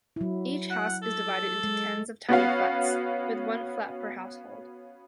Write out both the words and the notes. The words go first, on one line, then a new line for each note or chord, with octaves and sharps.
Each house is divided into tens of tiny flats, with one flat per household.
F#3 E4
F#5
A4
G#3
B3 C#4 F#4 F5